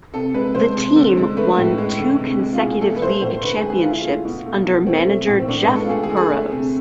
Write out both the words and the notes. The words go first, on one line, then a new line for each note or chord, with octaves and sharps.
The team won two consecutive league championships under manager Jeff Burroughs.
C3 A4
G#3 B4
G#3 C5
C3
D3
G#3
A3 B4
A2
G#3
D3
C3
G#3
F4
B2 G#4
G#4
A3 A4
B4
A3 C5
A2 C5
D3 B4
G#4
G#3
G#4
D3 F4
E4
A3 F4
B2
A3
B2
A3 C4
A3
A2
C4
A2 D4
B3
G#3
A4
F4
A3 G#4
G#4
D3
G#4
A3
C3